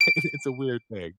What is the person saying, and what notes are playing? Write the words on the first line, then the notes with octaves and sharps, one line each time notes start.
it's a weird thing.
D7